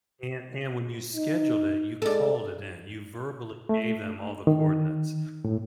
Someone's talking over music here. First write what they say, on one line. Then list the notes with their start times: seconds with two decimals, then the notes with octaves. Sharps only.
And and when you scheduled it, you called it in. You verbally gave them all the coordinates.
1.13 D#4
2.02 G#3 A4 D5
3.69 A3
4.47 D#3
5.45 A2